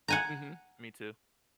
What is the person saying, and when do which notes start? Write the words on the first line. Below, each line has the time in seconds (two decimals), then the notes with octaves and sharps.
Mhm. Me too.
0.08 F#5 G#5 A#5